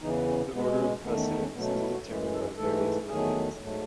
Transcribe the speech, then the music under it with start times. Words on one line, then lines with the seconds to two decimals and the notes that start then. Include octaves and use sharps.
The order of precedence is determined by various methods.
0.01 E2 C#3 E3 D#4
0.27 C#4
0.52 B2 G#3 B3
0.79 C#4
1.04 E2 D#3 A3 B3
1.17 C#4
1.30 D#4
1.42 C#4
1.54 B2 F#3 A3 B3
1.67 C#4
1.80 E4
1.93 F#4
2.06 F#2 E3 G#3
2.32 A4
2.57 G#2 E3 A3 A4
3.08 E2 D#3 F#3 A3 G#4
3.59 G#2 F#3 A3